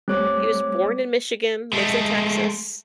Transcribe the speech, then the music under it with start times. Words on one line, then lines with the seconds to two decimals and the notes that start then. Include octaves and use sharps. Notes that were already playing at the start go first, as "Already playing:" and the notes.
He was born in Michigan, lives in Texas
0.08 G3 A3 C4 C#5 D6
1.73 G#3 A3